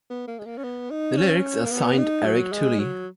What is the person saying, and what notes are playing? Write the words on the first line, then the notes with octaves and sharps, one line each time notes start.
The lyrics are signed Eric Toulis.
B3
A#3
G#3
A#3
C#4
B3
D#4
C#4
A#3
B3
D#4
F#3
G#3
F#3